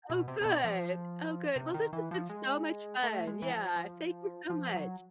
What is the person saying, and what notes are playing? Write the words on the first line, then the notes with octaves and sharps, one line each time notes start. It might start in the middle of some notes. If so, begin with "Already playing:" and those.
Oh, good. Oh, good. Well, this has been so much fun. Yeah. Thank you so much.
B2
C3
C3
B2
F3
C3
D#3
E3
F3
G#3
A3
G#3
E3
F3
F3
F3
F#3